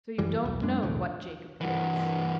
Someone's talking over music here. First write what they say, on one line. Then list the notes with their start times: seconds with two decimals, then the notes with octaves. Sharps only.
"So you don't know what Jacob thinks?"
0.18 F#2 E3 G3
0.44 E1 B1
0.62 F#2 G#3 D4
0.83 B1 E2 A2 D3
1.61 G2 E3 A#4 F#5